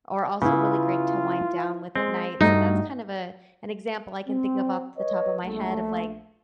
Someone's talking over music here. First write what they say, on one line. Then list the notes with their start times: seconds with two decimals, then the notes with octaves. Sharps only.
or also really great to wind down with at night, so that's kind of a an example I can think of off the top of my head of, like,
0.42 C#3 B3 E4 F4
1.95 G#3 C4
2.41 G2 A3 D#4 F#4
4.28 C4
4.98 B4 C#5 D#5
5.44 A#1 A3